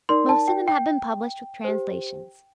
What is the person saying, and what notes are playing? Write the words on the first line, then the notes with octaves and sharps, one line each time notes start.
Most of them have been published with translations.
D#4 A#4 D5 C6
A5
G5
G5
G4 C5